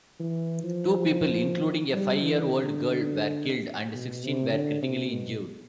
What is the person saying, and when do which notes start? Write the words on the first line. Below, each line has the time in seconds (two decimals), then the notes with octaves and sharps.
Two people, including a five-year-old girl were killed, and sixteen were critically injured.
0.20 E3
0.64 F3
1.94 G3
2.22 E3
2.51 D3
3.95 B2
4.24 C3
4.52 D3
4.82 C3
5.10 B2